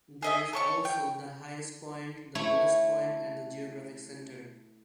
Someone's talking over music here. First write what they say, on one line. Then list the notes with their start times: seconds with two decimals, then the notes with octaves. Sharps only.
There is also the highest point, the lowest point, and the geographic center.
0.22 G#4 D#5 E5
0.53 A4 C#5 C#6
0.85 G5
2.35 A3 E4 C#5